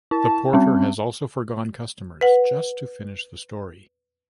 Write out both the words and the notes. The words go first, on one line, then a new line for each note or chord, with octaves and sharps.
The porter had also forgone customers just to finish the story.
E4 A5
G3 C4 C#4
B4 F#5